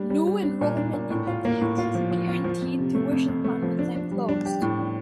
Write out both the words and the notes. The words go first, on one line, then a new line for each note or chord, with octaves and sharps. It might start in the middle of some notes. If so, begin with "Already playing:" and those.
New enrollment in the Texas Guaranteed Tuition Plan was then closed.
Already playing: G3 D4
G3
G3
D4
A#2
D4
A#2
A2
F4
A#3
A2
F4
F3
F3
F4
F3
F2
C3
A3
F2
F2
A3
F3
D4
D4
G3
D4
G4
A2
D4